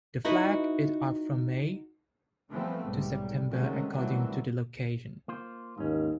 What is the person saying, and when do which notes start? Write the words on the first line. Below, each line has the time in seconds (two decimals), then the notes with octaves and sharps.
The flag is up from May to September according to the location.
0.24 D#4 E4 F#4 B4 D#5
2.52 E3 F3 G3 A3 B3 C4
2.86 B1 G#2 G3
3.51 C3 D#3 F#3 G#3 A3 C#4
3.92 D#3 E3 F#3 G3 A3 C4
5.28 A#3 F4 C5
5.78 D#2 G#2 C#4